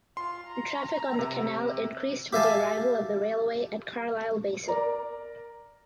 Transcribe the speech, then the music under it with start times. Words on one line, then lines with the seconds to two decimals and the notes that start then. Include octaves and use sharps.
Traffic on the canal increased with the arrival of the railway at Carlisle basin.
0.17 F4 C6
0.47 A#5
1.19 C3
2.33 G4 E5 F5 G#5 A5
4.68 A#4 D5 A#5